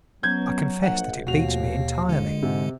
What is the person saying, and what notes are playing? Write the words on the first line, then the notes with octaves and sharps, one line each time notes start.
I confess that it beats me entirely.
F#3 B3 C#4 G6 G#6
A#1 F#5
D#2 B2 F3 A3 C4 F#4 F7
A#1 D3 G#3 D4 D#5
G#2 C3